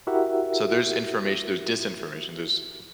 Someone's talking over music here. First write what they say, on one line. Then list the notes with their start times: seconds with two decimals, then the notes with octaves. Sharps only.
so there's information, there's disinformation, there's
0.07 E4 F#4 G4 A#4 E5 F#5